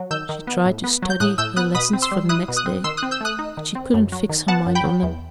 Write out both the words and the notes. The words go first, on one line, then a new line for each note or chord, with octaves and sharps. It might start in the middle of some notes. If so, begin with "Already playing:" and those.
She tried to study her lessons for the next day, but she couldn't fix her mind on them.
Already playing: F#3
D#3 E6 G6
D#3
B3
A2
B3
F#3
G6
A2 D#6 F#6
A2 E6 G6
B3 D#6 F#6
B2 B5 D#6
C4
C6 E6
G3
E4 D#6 F#6
B2
D#6 F#6
C4
D#3 C6 E6
D#6 F#6
C4
E6 G6
A3 D#6 F#6
D#4
D#3
C4
F#2
F#3
D#3
B3 F#5 A5
F#2
G5 B5
F#3
E2